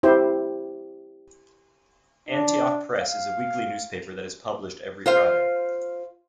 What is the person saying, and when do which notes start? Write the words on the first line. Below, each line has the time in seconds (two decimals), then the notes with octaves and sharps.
Antioch Press is a weekly newspaper that is published every Friday.
0.03 E4 G4 C5
2.29 D4
3.01 F5
5.06 F4 C5 F5